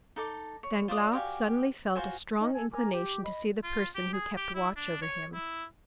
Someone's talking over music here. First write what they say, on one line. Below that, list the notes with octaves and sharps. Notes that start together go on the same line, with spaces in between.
Danglars suddenly felt a strong inclination to see the person who kept watch over him.
D#4 A4 D6
C#5
F4 C5 D5 D#6
F#4 G4 F5 G#5
F4 F#4 C5 G#5
C#4 D#4
A4 G#5
A#4 G#5 A#5 D6
G4 D6
D#5 B5
F4
G4
G#4
G4
E4
D4
C#5
E4